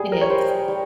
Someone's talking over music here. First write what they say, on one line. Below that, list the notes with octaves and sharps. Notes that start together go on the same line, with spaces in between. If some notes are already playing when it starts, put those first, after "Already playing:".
It is.
Already playing: G3 G#4
A#4
C#5
G3 C5
G3